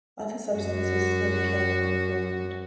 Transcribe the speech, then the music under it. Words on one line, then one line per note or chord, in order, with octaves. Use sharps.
Other substances smoked rather than flamed.
F#2 F#4